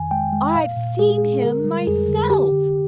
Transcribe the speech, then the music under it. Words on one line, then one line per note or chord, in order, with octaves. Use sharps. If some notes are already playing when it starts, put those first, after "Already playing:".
"I've seen him myself!"
Already playing: F2 D#3 G#5
G#3 G5
G#3
A#2 F5
A#2
G#3 G#4
G#3
D3 A#4
G3
F2 G#4
D3
D3 G4
D3